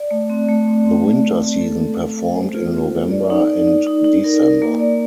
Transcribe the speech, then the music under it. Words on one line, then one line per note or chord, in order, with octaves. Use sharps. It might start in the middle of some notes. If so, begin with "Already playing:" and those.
The winter season performed in November and December.
Already playing: D5
A3
C4
A3
C4
C4
C4
A3
A3
A4
C4
A4
A4
C5
F4
C4
A4
D5
D#4
D5
D#4
D#4
D#4
A#4
A#4
A#3
D5